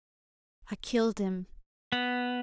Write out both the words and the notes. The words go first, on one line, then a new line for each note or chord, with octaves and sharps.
I killed him.
B3